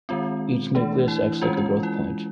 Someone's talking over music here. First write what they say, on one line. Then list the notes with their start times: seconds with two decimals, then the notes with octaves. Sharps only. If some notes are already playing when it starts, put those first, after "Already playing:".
Each nucleus acts like a growth point.
0.09 D#3 G#3 C4 F4
0.75 E3 A3 D4
1.08 E4
1.42 E3 G#3 C#4 F4
1.57 F4
1.83 E4